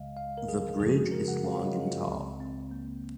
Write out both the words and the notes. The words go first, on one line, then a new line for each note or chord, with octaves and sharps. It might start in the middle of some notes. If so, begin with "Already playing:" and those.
The bridge is long and tall.
Already playing: C#2 C#3 G#3 D#5 F5
F5
A#4
G#4
F#2 C#3 F3 G#3 G#4
F#4
G#4
A#4
F#5
F5
C#5
D#5
F4
C#2 C#3 G#3 C4
C4
A#3